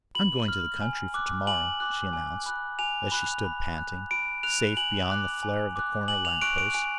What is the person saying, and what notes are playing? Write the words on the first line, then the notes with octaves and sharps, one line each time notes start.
"I'm going to the country for to-morrow," she announced, as she stood panting, safe beyond the flare of the corner lamp-post.
B5 F#7
F6
G#5
D6 F#6
G#5 F#7
D6 F#6
G#5
B5 F#6
G#5 F7
B5 F#6
B5
F#6
B5 D7
F#6 F7
G#5 F#7
D6 F#6
G#5
D6 F#6
G#5 F#7
F7
C#6 F#6 D7
D7
G#5 D7